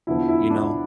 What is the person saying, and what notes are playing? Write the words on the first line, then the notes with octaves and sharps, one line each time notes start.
You know?
E2 D3 F3 E4
E4
D4